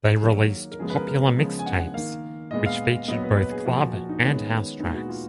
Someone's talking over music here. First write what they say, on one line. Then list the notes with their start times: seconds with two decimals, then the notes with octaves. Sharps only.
They released popular mixtapes which featured both club and house tracks.
0.17 G#4
0.23 D#3 F#3 A#3 F#4
0.71 A#4
0.79 C#3 F3 G#3 B3 G#4
0.90 B4
0.95 A#4
1.08 A#4
1.37 C#3 F3 G#3 B3
1.59 G#5
1.66 F#5
1.80 F#5
1.94 D#3 A#3 F5
2.51 A#2 G#3 B3 D#5
2.66 F5
3.08 A#2 F#3 B3 D#5
3.23 B4
3.37 B4
3.51 G#4
3.65 A#2 F3 A#3 F#4
3.94 F#4
4.09 D#4
4.23 D#3 G#3 B3 C#4
4.80 A#2 G#3 B3 D#4
4.94 F#4
5.09 F4